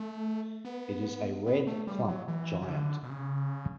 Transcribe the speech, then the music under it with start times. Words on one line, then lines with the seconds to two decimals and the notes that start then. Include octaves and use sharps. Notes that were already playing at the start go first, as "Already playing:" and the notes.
It is a red clump giant.
Already playing: A3
0.65 B3
1.46 B3
1.67 A3
1.87 G3
2.08 F#3
2.28 E3
2.62 C#3
2.69 D3
3.03 B2
3.10 C#3